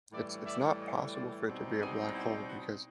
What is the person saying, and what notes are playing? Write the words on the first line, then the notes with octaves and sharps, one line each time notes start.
"It's it's not possible for it to be a black hole because
A2 E3 G3 D5 E5
D5 E5
C#5 D#5
C5 D5
B2 G3 C4 D#4
F#4 G#4
E4 F#4
E4 F#4